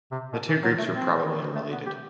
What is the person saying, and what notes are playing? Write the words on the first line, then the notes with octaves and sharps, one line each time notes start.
The two groups were probably unrelated.
C3
B2
E3
F#3
A3
C4
A3
B3
G4